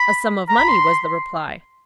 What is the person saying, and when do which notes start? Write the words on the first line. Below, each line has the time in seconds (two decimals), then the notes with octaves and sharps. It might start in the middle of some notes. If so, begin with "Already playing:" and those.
"A sum of money," was the reply.
Already playing: B5
0.49 A#5
0.58 B5
0.68 C6